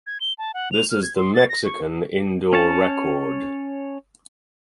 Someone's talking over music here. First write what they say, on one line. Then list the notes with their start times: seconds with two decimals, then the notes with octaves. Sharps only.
This is the Mexican indoor record.
0.07 G#6
0.21 G7
0.38 A5
0.54 F#5
0.72 F7
0.90 F6
1.03 G#6
1.16 C6
1.35 A6
1.49 A#6
1.65 C#6
2.53 C#4 C#5 A5